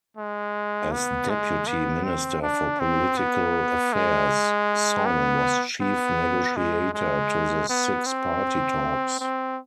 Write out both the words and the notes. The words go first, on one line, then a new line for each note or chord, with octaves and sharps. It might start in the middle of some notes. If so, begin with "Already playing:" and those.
As Deputy Minister for Political Affairs, Song was Chief Negotiator to the Six-Party Talks.
G#3
B3
G#3
B3
C4
D4
C4
B3
G#3
B3
B3
G#3
G#3
B3
C4
C4